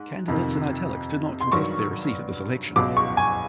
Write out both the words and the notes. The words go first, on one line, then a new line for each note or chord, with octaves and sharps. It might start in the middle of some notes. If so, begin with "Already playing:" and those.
Candidates in "italics" did not contest their seat at this election.
Already playing: G#2
F2 C3 D#3
C6
G2 D#3 F#3 C#6
C#2 B2 F#3 D6
C#6
G#5